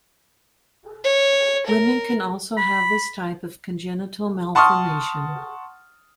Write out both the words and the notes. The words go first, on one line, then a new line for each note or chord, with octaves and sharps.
Women can also have this type of congenital malformation.
C#5
A#4
B5
F#5 A5 C6 C#6 D#6 F6